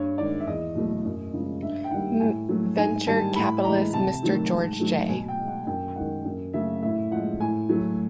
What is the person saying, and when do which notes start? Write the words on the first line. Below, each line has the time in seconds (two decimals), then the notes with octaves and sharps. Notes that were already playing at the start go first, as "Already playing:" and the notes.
Venture Capitalists Mr. George J.
Already playing: G2 C#5
0.18 D#3 G#3 D5
0.40 E5
0.47 E2 D#5
0.75 B2 F#3 A3
1.05 F#2
1.33 C#3 F3 G#3
1.62 G2 E5
1.84 G5
1.91 D#3 G3 F#5
2.20 A2 G#5
2.49 F#3 A3
2.78 G#2 G#5
3.07 D#3 G3 A5
3.36 A2 B5
3.64 E3 G#3 A#5
3.93 C3 A5
4.23 D#3 F#3 A3
4.52 G#2
4.80 D#3 F#3 A3
5.09 B2 G#5
5.28 G5
5.39 G#3
5.48 F#5
5.67 F#2 G5
5.96 D#3 G#3 F#5
6.25 F#2
6.53 C#3 F#3 A3 E5
6.82 A2 E5
7.11 F3 G#3 F#5
7.40 A2 G#5
7.69 F#3 A3